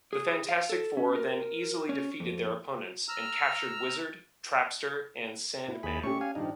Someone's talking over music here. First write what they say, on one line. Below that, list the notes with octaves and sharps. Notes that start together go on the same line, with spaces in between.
The Fantastic Four then easily defeated their opponents, and captured Wizard, Trapster, and Sandman.
G#4
F5
A4
C#4
A#4
C#4
F2
A#5 E6 F6
E4
D#2 G#4 B5
A3 C#4 G4 C#6
F5 G#5
G2 D#3 F3 D4 D#4